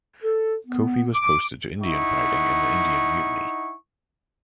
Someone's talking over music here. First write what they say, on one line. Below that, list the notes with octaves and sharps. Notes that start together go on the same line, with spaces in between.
Coffey was posted to Indian fighting in the Indian Mutiny.
A4
B3
D6
D#4 E4 F#5 C#6